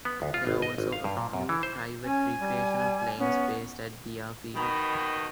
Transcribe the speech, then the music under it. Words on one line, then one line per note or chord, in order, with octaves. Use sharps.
There are also a few private recreational planes based at the airfield.
B3
D2
F4
G#1
D#5
G#1
F5
G2
A#2
F#2
E3
C5
C#4 G#5
G3
B3 C#4
B2 D#3 B5